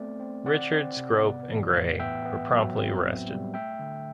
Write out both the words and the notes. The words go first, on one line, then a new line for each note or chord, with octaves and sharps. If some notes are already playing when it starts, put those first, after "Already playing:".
Richard, Scrope, and Grey were promptly arrested.
Already playing: A3 B3 C4 D5
C4
C4 D5 F#5
C4
C3
B3
E3
A2
B3 E5 G5
B3
F#3
C4
A2
G3
A3 E5 G5
D3